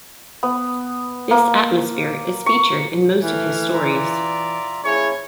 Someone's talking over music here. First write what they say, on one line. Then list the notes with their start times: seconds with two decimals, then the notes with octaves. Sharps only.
This atmosphere is featured in most of his stories.
0.43 B3
1.31 A#3
2.46 C#6
3.22 E3 A3 F6
3.73 F4 D5 E5 A#5
4.85 F3 A#3 C#4 E4 G#4 C#5